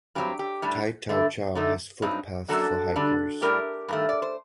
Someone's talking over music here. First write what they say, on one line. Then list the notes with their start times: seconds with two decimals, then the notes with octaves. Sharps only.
Tai Tau Chau has footpaths for hikers.
0.15 G2 F#3 C4 G4
0.39 G4
0.62 A2 G3 D4
1.09 G2 D3 A3
1.55 D3 F#3 A3 D#4
2.02 G2 F#3 C4 D#4
2.48 F#2 F#3 A#3 D4 F#4 A4
2.96 D3 G3 D4
3.42 A2 G3 D4 G4 A#4
3.88 G2 D#3 A3
4.09 D5
4.22 C5